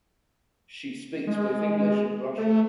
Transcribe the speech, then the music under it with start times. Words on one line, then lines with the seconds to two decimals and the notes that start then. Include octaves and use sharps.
She speaks both English and Russian.
1.27 G#3
2.38 A3